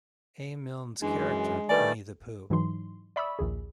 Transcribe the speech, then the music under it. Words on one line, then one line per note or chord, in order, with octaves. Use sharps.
A. Milne's character, Winnie-the-Pooh.
F#2 E3 G#3 D4
D#3 G3 A3 B4 D5 G#5
G#2 E3 F#3 D#4 C6
D5 E5 B5 C#6 D#6 E6
A#1 D#2 G#4